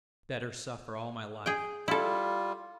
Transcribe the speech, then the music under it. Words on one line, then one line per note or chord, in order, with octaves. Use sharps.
"Better suffer all my life."
G#4 G5
G3 E4 F4 A4